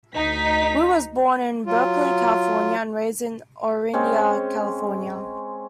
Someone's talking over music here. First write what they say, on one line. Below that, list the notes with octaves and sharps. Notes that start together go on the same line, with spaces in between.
Wu was born in Berkeley, California, and raised in Orinda, California.
D2 D#4 B6
F#3 F4
G#3 C4 C#4